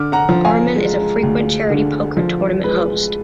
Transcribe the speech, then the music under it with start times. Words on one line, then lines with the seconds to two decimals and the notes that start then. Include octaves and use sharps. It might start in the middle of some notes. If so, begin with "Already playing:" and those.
Harman is a frequent charity poker tournament host.
Already playing: D3 D6 F6
0.12 F#5 A#5
0.29 F3
0.45 F5 G#5
0.76 G#3
1.23 D2
1.70 D3
2.17 F3
2.64 G#3 B4